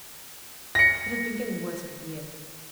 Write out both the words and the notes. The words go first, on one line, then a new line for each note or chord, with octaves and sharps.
It has been getting worse for years.
A#6 C#7